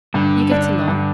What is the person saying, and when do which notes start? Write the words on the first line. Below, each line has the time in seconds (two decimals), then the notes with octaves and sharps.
You get along.
0.14 G2 D3
0.51 D4
0.88 G2